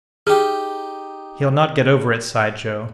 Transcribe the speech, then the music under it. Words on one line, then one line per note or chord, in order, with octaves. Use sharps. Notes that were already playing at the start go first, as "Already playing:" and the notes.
"He'll not get over it!" sighed Joe.
D#4 G4 G#4